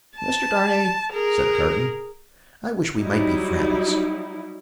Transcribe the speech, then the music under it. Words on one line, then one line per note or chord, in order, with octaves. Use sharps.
"Mr. Darnay," said Carton, "I wish we might be friends."
A5
G#4 A#4
F#3 G3 D#4 E4